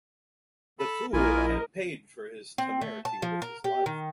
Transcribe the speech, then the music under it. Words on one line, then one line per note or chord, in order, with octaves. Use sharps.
The fool had paid for his temerity with his life.
A4 A5 B5
A#1 A#3 E4 F4 A#4 D#5 G#5
C4
A3
A5
F3
A#4
G4
D#3